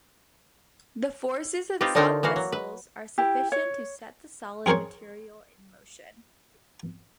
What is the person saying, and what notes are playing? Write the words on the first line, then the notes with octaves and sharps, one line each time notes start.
The forces in some whistles are sufficient to set the solid material in motion.
C4 D#4 F4 G4 B4
D3 D#4 F4 A#4 C5 C#5
E3 A#3 F#4 F5
F#3
B4
E4 G4
C#5
C4 G#4 A#4 C5 C#5